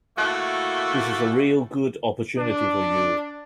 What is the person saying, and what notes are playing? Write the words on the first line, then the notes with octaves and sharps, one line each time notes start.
This is a real good opportunity for you.
A3 A#3 E4 F#4
D4